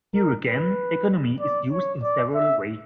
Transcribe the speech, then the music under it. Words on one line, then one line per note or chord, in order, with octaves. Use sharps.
Here again, "economy" is used in several ways.
A#4
B4
D5
C#5
D5
E5